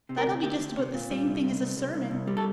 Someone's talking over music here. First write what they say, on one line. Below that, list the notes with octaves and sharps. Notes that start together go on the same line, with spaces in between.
That will be just about the same thing as a sermon.
C3
A#4
D2
D2 G4
D2
C3
A#2
G3
C2
C2
C2
C2
C2
C2
G3
A4